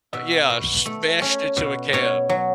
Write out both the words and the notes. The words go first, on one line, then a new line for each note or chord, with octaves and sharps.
yeah, smashed into a can.
B2 E5
B2
A3
C#4
B2
B2 C#5
F#3